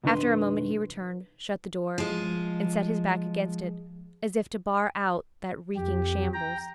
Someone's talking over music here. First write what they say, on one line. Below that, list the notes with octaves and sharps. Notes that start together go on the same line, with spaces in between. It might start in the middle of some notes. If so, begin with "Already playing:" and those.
After a moment he returned, shut the door, and set his back against it, as if to bar out that reeking shambles.
B1 F2 D#3 D4 B4 C6
F3 G#3
F2 G4
G5 A#5